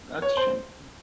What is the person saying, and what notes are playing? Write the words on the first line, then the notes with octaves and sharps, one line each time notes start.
That's a shame too.
C#5
C5